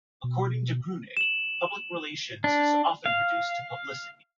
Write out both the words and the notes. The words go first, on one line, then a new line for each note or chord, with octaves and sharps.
According to Grunig, public relations is often reduced to publicity.
B2
E7 F#7
D4
F5